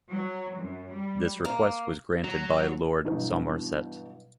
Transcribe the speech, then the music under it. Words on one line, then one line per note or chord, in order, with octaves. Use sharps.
This request was granted by Lord Somerset.
F#3
F#2
G3
A#3
F#3
G2 B2 E3 F#3 B3 D#4